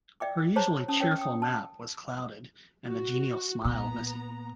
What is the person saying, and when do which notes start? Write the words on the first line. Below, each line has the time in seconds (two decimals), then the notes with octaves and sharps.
Her usually cheerful map was clouded, and the genial smile missing.
0.20 D5 E5 G5 D6
0.56 G#4 C5 C#5 A5 A#5
0.88 C#4 A5 D#6
1.00 A#4 C#5 G5
1.18 G5 D#6
1.42 A5
2.86 F#4
3.65 A#2 B3 A#5